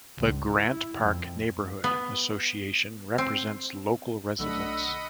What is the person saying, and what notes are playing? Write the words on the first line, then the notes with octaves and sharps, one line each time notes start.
The Grant Park Neighborhood Association represents local residents.
C#2
E4
F2
B3
C4
B1 D3 A3 D#5 F#5 B5 E6